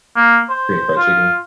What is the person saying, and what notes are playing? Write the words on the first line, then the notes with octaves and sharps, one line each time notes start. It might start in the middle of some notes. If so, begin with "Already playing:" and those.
Korean fried chicken.
A#3
C5
F4